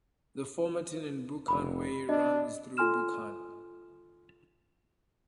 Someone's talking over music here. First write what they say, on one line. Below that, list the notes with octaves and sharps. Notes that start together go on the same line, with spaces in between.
The Formartine and Buchan Way runs through Buchan.
F1 B5
D4 D#5
F4 A4 G#5 C6 F6 E7